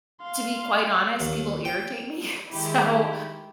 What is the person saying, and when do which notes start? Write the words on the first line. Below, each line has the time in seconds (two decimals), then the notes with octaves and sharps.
to be quite honest, people irritate me, so,
0.22 F5 C6
1.20 D#2
1.65 G5
2.49 D#3 G#3 E4 G4